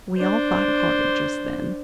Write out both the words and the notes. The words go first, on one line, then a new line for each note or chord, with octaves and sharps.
We all thought hard just then.
D4 C5